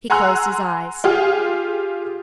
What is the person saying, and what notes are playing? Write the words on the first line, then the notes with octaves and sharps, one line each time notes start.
He closed his eyes.
F#5 G#5 A#5 C6 E6 F#6
F4 G4 G#4 F5